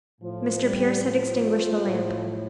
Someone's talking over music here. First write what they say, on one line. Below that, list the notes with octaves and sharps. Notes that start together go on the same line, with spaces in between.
Mr. Pearce had extinguished the lamp.
A2 F3
G3
F3
A2